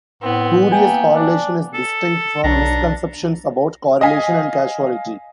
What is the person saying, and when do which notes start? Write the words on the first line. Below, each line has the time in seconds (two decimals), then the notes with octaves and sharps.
Spurious correlation is distinct from misconceptions about correlation and causality.
0.23 A2 B3 C4
0.72 A#3 G5 G#5
1.16 D4
1.74 A4
2.44 B1 D4 A#5
4.01 D#5 F5 G#5 B6